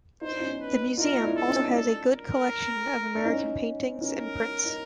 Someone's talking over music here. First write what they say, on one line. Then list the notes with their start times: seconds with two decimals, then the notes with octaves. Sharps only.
The museum also has a good collection of American paintings and prints.
0.21 D#4 C5
0.32 D4
0.40 C#4 D#4
0.60 B4
0.97 D#4 F4 A#4
1.12 F4
1.23 D4 E4
1.36 A4
1.48 C#4 D#4
1.65 D#4
1.73 D4 A4
2.12 A#4
3.16 D4
3.25 C#4 D#4
4.01 C#4 D#4 A#4
4.65 D#4